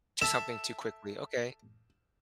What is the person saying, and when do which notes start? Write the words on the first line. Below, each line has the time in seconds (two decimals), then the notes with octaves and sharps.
Do something too quickly. Okay.
0.21 A4 E5 E7